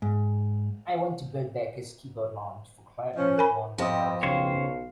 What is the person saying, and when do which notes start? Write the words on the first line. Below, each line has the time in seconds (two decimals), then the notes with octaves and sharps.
I want to book Baker's Keyboard Lounge for clare and yvonne ramirez.
0.02 G#2
3.16 F3 C#4
3.38 A#4 G#5 B5
3.78 F2 C4 E4 G4 D#5 A5 D#6
4.23 B1 C#3 C5 C#5 F5